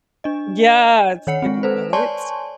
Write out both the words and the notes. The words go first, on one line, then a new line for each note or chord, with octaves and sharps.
Yeah, it's like, "What?"
D4 D#5
D#3 C#5 F#5 C#7
G#3 C4
A4 B4 C5
C#5 D5 G#5 A5 C6 C#6